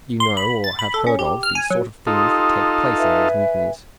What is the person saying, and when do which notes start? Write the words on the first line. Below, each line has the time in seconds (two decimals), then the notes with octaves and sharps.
You know, or have heard of, the sort of things that take place in these mutinies.
0.20 C6
0.37 B5
0.64 A6
0.79 B5
0.94 A4
1.07 C#4
1.19 G4
1.43 F6
1.55 G#5
1.70 F#3
2.07 D#4 F4 G4 A4 C6 D#6
2.97 B4 E5 G#5